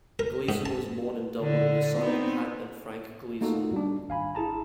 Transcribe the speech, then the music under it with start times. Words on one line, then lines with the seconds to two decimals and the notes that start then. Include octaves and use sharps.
Gleeson was born in Dublin, the son of Pat and Frank Gleeson.
0.19 A#4
0.49 G#2
0.66 A5
1.40 A#2 D3 E4
1.99 B3 C4 D#4
3.41 A3 A#3 D#4 F4 F#4 A4
3.73 G3 D4
4.09 G#1 F5 G#5 B5
4.35 E4 G#4 A5 A#5